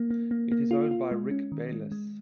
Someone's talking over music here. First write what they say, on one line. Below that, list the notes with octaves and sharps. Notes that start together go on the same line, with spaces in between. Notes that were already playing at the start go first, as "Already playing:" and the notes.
It is owned by Rick Bayless.
Already playing: A#3
A#3
A#3
A#3
F4
F4
G#3
C#4
D#3
G#3
G#3